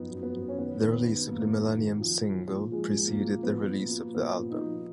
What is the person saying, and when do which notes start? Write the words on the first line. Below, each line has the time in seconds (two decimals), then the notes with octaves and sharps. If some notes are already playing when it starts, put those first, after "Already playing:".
The release of the "Millennium" single preceded the release of the album.
Already playing: F#2 F3 B3 D#4
0.10 F#2
0.23 B3
0.34 F#2
0.48 C#4
0.58 D#3 B3
0.81 D#3
0.93 B3
1.05 D#3
1.29 F#2 A#3
1.53 D#3
1.77 D#3
2.00 F3
2.24 F3
2.49 A#2
2.72 F3 G#3
2.95 A#2
3.07 A#3
3.19 A#2
3.43 F3 B3
3.67 A#2
3.79 A#3
3.91 A#2
4.14 A#2 B3
4.38 A#2
4.50 D#4
4.62 F3